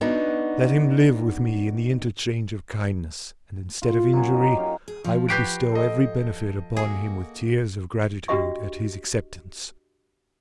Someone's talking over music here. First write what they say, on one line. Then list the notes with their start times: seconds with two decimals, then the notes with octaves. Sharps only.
Let him live with me in the interchange of kindness, and instead of injury I would bestow every benefit upon him with tears of gratitude at his acceptance.
0.01 B3 D4 D#4 F#4
3.82 F4
4.13 F#2 G#5
4.34 D#4 G4 A#4
4.56 F#2 C#5 F5 G5
4.88 G#4
5.04 F3
5.29 F#4 G4 B4 G6 C7 D7
5.72 A4 D#5
6.77 A#3 F#4 G#4
8.28 D4 F#4 G4 D#5 E5 C#6